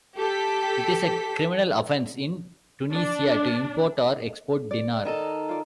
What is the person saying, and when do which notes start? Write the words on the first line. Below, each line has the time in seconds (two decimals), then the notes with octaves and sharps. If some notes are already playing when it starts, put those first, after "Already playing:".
It is a criminal offence in Tunisia to import or export dinar.
0.18 G4 A4 B6
2.91 D4
4.71 D5
5.05 D#3 D#4 A4
5.49 F4 D5